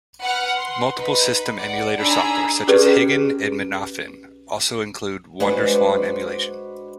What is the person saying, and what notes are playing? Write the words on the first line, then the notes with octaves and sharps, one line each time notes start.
Multiple system emulator software such as Higan and Mednafen also include WonderSwan emulation.
B4 F#5 F6
C6
D#4 B4
D5 F#5
D4 D#4 G#4 A#5 B5 E6
C#4 G4 G#4 B4 D5
G#3 D4 F#4 B4 C5